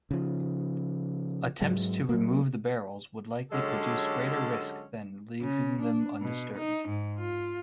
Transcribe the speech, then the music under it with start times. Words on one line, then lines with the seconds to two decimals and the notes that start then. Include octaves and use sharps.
Attempts to remove the barrels would likely produce greater risk than leaving them undisturbed.
0.11 C#3 F3
1.61 G#2 F#3 G#3
2.09 F#3 A#3
3.52 D3 F#3 G#3 C#4 G4 A4
5.41 C#3
5.82 D4
6.21 B2
6.58 D#4
6.89 G#2
7.19 F4